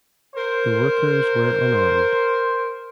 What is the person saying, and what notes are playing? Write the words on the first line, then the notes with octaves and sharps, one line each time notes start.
The workers were unarmed.
A#4 C5